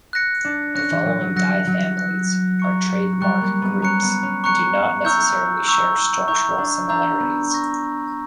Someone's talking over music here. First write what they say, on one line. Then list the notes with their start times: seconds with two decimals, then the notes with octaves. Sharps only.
The following dye families are trademark groups, and do not necessarily share structural similarities.
0.13 F#6 A#6 C#7
0.45 D4
0.75 C#4 F#6 A#6 C#7
0.91 E3
1.05 F#3
1.21 F#3
1.36 F#3 F#6 A#6 C#7
1.67 F#3
1.98 F#6 A#6 C#7
2.60 A#5 C#6 F#6 C#7
3.21 G3 A#5 C#6 F#6 C#7
3.41 A#3
3.62 B3
3.82 C#4 A#5 C#6 F#6 C#7
4.03 B3
4.23 C#4
4.44 A#5 C#6 F#6 C#7
5.05 E4 A#5 C#6 E6 G6
5.67 A#5 C#6 E6 G6
6.28 E4 A#5 C#6 E6 G6
6.58 D4
6.89 D4 A#5 C#6 E6 G6
7.20 B3
7.51 C#6 E6 A#6